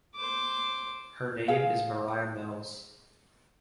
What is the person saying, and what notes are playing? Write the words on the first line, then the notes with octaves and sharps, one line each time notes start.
Her name is Mariah Mills.
C5 D6
G#4 F5